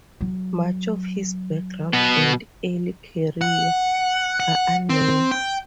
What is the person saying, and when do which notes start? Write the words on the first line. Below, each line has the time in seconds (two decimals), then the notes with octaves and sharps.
Much of his background and early career are unknown.
0.21 F#3
1.93 B2 B3
3.41 F#5
4.40 F#5
4.90 C4
5.31 G5